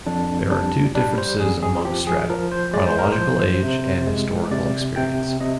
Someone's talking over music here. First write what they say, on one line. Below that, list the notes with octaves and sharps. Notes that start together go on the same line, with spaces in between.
There are two differences among strata: chronological age and historical experience.
F2 D4
G3 D4
G3 D4
C5
F2 G#4
G#4
F3 G4
G#4
F3 A#4
C5
G#3 D5
C5
A#4
C5
F3
C3
G#3
C3 D5
C3 G5
C3 D#5